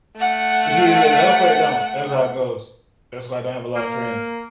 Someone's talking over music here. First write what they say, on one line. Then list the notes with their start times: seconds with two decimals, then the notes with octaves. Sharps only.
It's either they help or they don't, that's how it goes. That's why I don't have a lot of friends,
0.16 A3 F#5
3.76 A#3